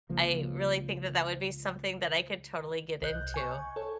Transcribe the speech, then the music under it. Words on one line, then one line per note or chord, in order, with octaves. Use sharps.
I really think that that would be something that I could totally get into.
C#2 C#3 F3 A#3
C2 D#5 F#6 G6
G#5 C#6
A4 C#5